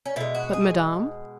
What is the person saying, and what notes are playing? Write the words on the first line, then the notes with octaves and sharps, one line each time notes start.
"But Madame?"
C#4
B2 G#3 E4
F#4
G#4